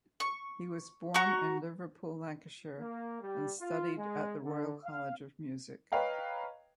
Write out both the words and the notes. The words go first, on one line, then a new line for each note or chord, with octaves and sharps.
He was born in Liverpool, Lancashire, and studied at the Royal College of Music.
C#6
F#4 A#5 C#6
A#3
G3
F4
G#3
D3
F5
B4 C#5 D#5 F5 G5 A#5